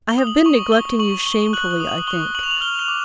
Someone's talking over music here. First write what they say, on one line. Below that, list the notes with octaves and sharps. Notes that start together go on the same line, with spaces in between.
I have been neglecting you shamefully, I think.
G7
D#6
F#7
C#6 F#7
C#6 G7
C#6 F#7
C#6 G7
F#6 F#7
F#7
D#6
F#7
C#6 G7
C#6 F#7
F7
F#7
F6 G7
F7
D6